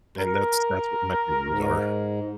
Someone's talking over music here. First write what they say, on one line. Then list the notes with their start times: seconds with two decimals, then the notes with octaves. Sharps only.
And that's that's what my feelings are.
0.19 A#4
1.47 G#2